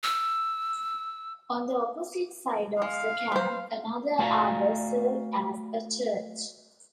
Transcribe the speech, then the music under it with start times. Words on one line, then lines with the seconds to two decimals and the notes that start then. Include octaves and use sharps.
On the opposite side of the camp, another arbor served as a church.
0.03 E6
2.82 G#3 F5
3.32 B4 C5
4.19 A3 F#4 D5 F5 G#5 A#5